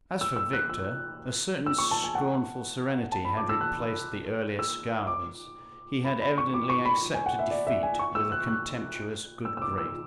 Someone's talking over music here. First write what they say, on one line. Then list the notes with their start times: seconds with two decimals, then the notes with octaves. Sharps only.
As for Victor, a certain scornful serenity had replaced the earlier scowls; he had evidently accepted defeat with a contemptuous good grace.
0.21 E6
0.36 E6
0.53 F#6
0.70 E6
1.66 E6
1.78 C#6
1.91 A5
2.04 G#5
2.15 F#5
3.12 A5
3.25 B5
3.37 D6
3.49 E6
3.61 F#6
4.59 E6
5.07 D6
6.05 B5
6.21 B5
6.38 C#6
6.54 D6
6.69 C#6
6.85 B5
7.14 G#5
7.26 F#5
7.39 E5
7.51 D5
7.67 E5
7.83 G#5
7.99 C#6
8.15 E6
8.32 F#6
8.48 F#6
9.45 E6
9.57 E6
9.62 D6
9.78 E6